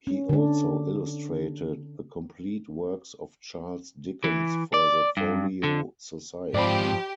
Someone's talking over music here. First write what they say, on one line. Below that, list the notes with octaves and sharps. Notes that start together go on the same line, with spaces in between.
He also illustrated the complete works of Charles Dickens for the Folio Society.
C#4
D3 D4
E3
D5
G2
D3
G#2 F3 C4 G4 D5 B5